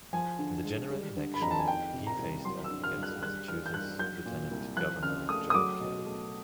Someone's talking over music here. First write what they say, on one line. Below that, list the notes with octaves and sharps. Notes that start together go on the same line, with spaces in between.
In the general election, he faced off against Massachusetts Lieutenant Governor John Kerry.
F3 G#5
D3
G#3
G3
D3
B5
F2 A#5
A5
G#5
D#3 G5
C3
A#5
C2
F#3 C6
E6
D3
F6
G2
F#6
G3 F#6
E3 F6
G6
G2 F#6
F#3 G6
A#2
C2
F3 F#6
C#3 F6
A3 D#6
D#6
F#3 D6
B2
A3